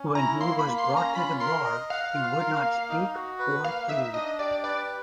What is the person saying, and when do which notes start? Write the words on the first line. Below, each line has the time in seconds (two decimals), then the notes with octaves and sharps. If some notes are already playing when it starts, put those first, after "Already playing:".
When he was brought to the bar, he would not speak or plead.
Already playing: C#4
0.15 E4 A#5
0.40 A#3 C6
0.59 B5
0.66 A#3
0.78 C6
0.90 C#4
0.97 A#5
1.15 F4 B5
1.40 A#4 C6
1.65 D#5
1.90 F5 F#5
2.15 F4
2.39 A#4
2.65 A#3
2.89 D#4
3.14 F#4
3.39 B4
3.64 A#3 F5
3.89 D#4 E5
4.14 D4 D#5
4.39 G4 D5
4.64 B4 D5